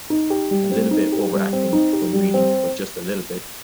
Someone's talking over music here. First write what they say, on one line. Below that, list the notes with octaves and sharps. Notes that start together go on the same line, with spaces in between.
A little bit "overacting" when reading, but just a little bit!
D#4
G4
G3
C4
D#4
G4
G3
C4
D#4
G4
G3
C4